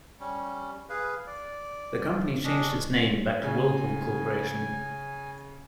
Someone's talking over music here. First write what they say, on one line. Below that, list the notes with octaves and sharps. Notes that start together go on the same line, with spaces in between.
The company changed its name back to Whirlpool Corporation.
G3 C#4
G#4 B4 F5
D5
C#4 D4 D#5
C#3 G#5